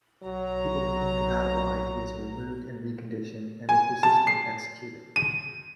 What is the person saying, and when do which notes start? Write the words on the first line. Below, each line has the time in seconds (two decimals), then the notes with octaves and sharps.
People with incompatible ideas are removed and reconditioned, and if resistant, executed.
0.23 B1 F#3 A#5
3.69 G#5
4.03 A5
4.27 C7
5.16 D#7